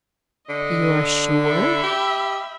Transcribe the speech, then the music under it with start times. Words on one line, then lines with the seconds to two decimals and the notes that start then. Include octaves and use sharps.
"You are sure?"
0.49 D3 D#5
1.42 E5 B5
1.84 G4